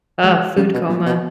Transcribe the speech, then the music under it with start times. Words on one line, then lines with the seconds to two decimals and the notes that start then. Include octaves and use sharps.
uh, food coma.
0.24 F3 G#3
0.57 C#3 F3 G#3
0.74 B2
0.90 A#2 F#3 A#3
1.06 B2